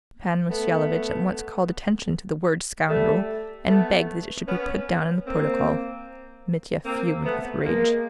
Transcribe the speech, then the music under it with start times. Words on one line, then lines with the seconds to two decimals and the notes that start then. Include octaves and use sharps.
Pan Mussyalovitch at once called attention to the word "scoundrel" and begged that it should be put down in the protocol. Mitya fumed with rage.
0.49 A3 B3
2.88 G3 A3
3.67 A3 B3
4.46 B3 C#4
5.26 A#3 C4
6.84 A#3 C4
7.24 A3 B3
7.64 G#3 A#3